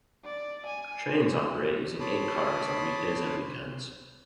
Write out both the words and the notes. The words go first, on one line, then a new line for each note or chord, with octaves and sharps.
Trains operate using eight cars on weekdays and weekends.
D5
G#5
C#5 A5 B5 C6 D6 D#6